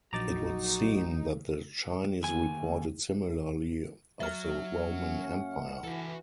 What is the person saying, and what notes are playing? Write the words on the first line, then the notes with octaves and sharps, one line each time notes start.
It would seem that the Chinese reported similarly of the Roman empire.
A#1 F#3 D#4 F#4 A#5 D6 A6
D#2 G#5
F#3 E5 F6
F#2 A#3 C#4 F#5
E3 F#4 A4